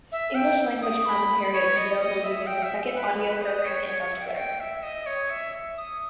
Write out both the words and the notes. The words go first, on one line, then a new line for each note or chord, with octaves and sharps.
English language commentary is available using the second audio program and on Twitter.
E5
G5
D#6
B5
C#5
D#5
D#5
E5
G5
E5
B4
B4
D#5
C#5
C#5
E5
G5
E5
G5
E5
D#5
C#5
E5
D#6